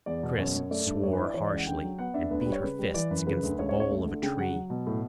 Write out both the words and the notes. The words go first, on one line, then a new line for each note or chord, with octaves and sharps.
Chris swore harshly and beat her fists against the bole of a tree.
E2 D5
B2
F#2 C#5
F#2
A3 D5
G2
G2 C#5
B4
E4 D5
E3 C#5
C#2 D5
F#5
D3 G5
F#3
B3 F#5
D4 E5
D2 B4
B4
G3
C#5
C#3 B4
G3
E3 D5
F#2 B4
C#3 B4
D2
C#2 C#5
C#5
C#2
C#5
A3
D3
C#3 G5
F#3 F#5
F#3
B2
A2